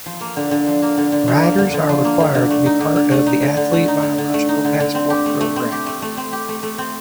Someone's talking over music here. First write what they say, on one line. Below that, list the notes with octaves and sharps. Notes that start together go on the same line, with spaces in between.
Riders are required to be part of the athlete biological passport program.
F3
A#3
D3
D3
F3
A#3
D3
D3
F3
A#3
D3
D3
F3
A#3
D3
D3
A3
D#4
D3
D3
A3
D#4
D3
D3
A3
D#4
D3
D3
A3
D#4
D3
D3
C4
G4
A3
A3
C4
G4
A3
A3
C4
G4
A3
A3
C4